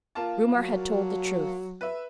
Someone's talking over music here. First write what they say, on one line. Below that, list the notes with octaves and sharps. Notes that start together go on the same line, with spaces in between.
Rumor had told the truth.
A#3 F4 A5
F#3
B4 E5